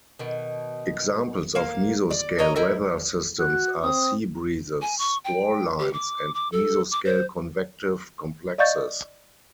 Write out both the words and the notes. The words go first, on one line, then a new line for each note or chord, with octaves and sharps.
Examples of mesoscale weather systems are sea breezes, squall lines, and mesoscale convective complexes.
B2 D#3
A#3 F5
D5
A#4 C#5 D#5 A#5
D#4 E4 A#4
F#4 F#6
C4 D#6
G#5
C#6
G5
G4
D6
D6
A4
D6
C5
D5 D#5 F5 C#6 G6 A6